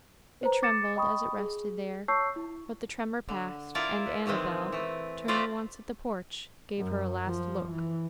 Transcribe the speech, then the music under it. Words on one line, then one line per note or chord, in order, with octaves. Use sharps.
It trembled as it rested there, but the tremor passed, and Annabel, turning once at the porch, gave her a last look.
B4 C5 A#5
D6 A6 C#7 E7
D#5 G5 B5 C#6 D#6
G#4
C#5 A5 C#6 E6 G6 C7
E4
D3
E4 F4 A#4 D5 E5
B4
A#2 D#3 E3 G#3 C4
E3 A3
A3 C4 F4 B4 C5 D5
F#2
F3
E3